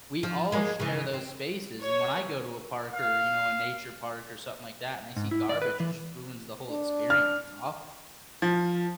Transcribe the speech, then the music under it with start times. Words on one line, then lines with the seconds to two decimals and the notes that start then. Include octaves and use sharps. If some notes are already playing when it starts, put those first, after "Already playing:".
we all share those spaces, and when I go to a park or, you know, a nature park or something like that, and I see garbage, it just ruins the whole experience, it's awful.
0.23 F3
0.52 G#3 A#3
0.80 C#3 E3
1.14 C4
1.82 C#5
2.94 F5
5.16 G#2
5.31 E4
5.49 D5
5.62 B4
5.80 E3
6.70 D4
7.10 F6
8.42 F3